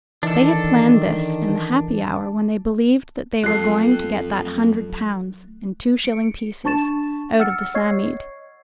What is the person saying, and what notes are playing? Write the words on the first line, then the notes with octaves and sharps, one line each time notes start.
They had planned this in the happy hour when they believed that they were going to get that hundred pounds, in two-shilling pieces, out of the Psammead.
D#3 E3 D4 A4
F2 F#3 A3 F4 A4 F#6 C7
C#7 D7
D4 A5 C#6 A6 E7
F#5 E6 F6 A6 C#7
C#5 D#5 C#6 G#6 C7